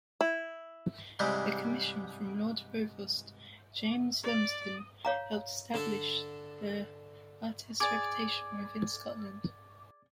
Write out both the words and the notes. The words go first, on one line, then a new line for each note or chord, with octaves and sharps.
A commission from Lord Provost James Lumsden helped established the artist's reputation within Scotland.
E4
G#2 C3 E3 G3 G#3
D5
C#5 F5 A#5
D3 D4 A4
G#4 D5 D6 G#6